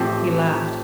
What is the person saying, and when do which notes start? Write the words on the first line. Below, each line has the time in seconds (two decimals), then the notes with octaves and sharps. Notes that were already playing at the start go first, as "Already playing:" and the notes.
He laughed.
Already playing: A1 A2 F3 C4 G4